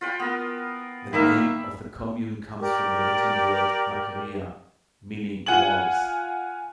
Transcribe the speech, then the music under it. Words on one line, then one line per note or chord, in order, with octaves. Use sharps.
The name of the commune comes from the Latin word: "maceria", meaning walls.
F4 B4 G5
B3 A#4
D#3 A#3 E5 B5
G4 A#4 D5
F4 F#5 G#5 F#7